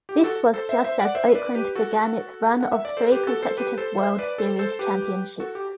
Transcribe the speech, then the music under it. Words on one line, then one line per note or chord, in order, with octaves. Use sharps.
This was just as Oakland began its run of three consecutive World Series championships.
G4
F#4 A4
A4 C5
C5 E5
C5 E5
D5 F#5
C5 E5
B4 D5
G4 B4
F#4 A4
F#5
E5
D5
A4 C5
G4 B4
F#4 A4
A4 C5
G4 B4
A4 C5
C5 E5
B4 D5
A4 C5
A4 C5
G4 B4
F#4 A4
G4